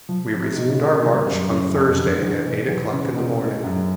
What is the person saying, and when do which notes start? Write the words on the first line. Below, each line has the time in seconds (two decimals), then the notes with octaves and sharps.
We resumed our march on Thursday at eight o'clock in the morning.
0.09 F3
0.33 C3
0.56 D#3
0.79 A#2
1.04 G3
1.27 F#2
1.51 C#3
1.75 F2
1.99 D3
2.22 E2
2.45 B2
2.68 E2
2.93 C#3
3.16 B2
3.40 G#3
3.64 F#2